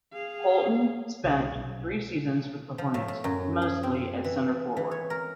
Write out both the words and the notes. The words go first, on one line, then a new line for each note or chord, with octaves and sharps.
Holton spent three seasons with the Hornets, mostly at centre forward.
G#4 F5
C2
B1
F3
A2
A2
F#2
G#4
C4
E3
E3
C#5
A#4